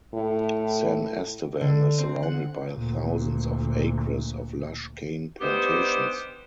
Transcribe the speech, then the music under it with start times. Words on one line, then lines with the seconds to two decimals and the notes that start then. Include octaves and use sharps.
San Estevan is surrounded by thousands of acres of lush cane plantations.
0.14 A2
1.61 D3
1.98 C4
2.23 F#5
2.73 D2 A#2
5.41 G3 B3 D4 D#4 G4 C5